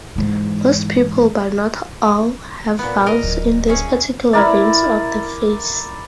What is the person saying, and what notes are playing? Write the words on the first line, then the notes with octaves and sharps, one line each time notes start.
Most people, but not all, have valves in these particular veins of the face.
G#2 E3
A#2 B3
A#4 D#5
D1
C#4 G#4 E5
E4 A#4 D5